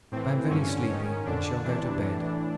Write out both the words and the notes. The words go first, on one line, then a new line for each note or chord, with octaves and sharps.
I am very sleepy and shall go to bed....
A2 E3 C4
G2 D3 C#4
G#2 D#3 C#4
F2 D3 D4
E2 C3 E3 D4
A2 E3